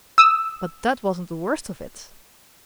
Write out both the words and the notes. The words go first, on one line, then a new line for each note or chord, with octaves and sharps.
But that wasn't the worst of it!
D#6 E6